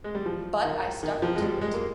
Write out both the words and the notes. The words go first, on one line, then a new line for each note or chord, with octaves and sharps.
But I stuck to it.
G#3
G3
F3
D#3
D#3
F3
G#3
G3
G#3
A#3